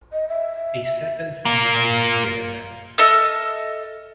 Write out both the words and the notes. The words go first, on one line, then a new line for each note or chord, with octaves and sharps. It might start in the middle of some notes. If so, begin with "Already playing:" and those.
A second season has been announced.
D#5
E5
A#2 A#3
A4 D#5 E5 F6